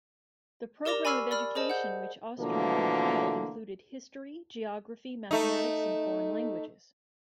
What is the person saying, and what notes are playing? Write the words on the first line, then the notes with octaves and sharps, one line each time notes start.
The program of education which Ostermann compiled included history, geography, mathematics, and foreign languages.
G4 A#4 D5 D6 A#6 F7
G#5 B5 C#6 E6 F6 C7
D5 B5 F6
G#4 C5 D#5 A5
F#5 G6
B2 D3 E3 F3 A3 A#3
A3 D#4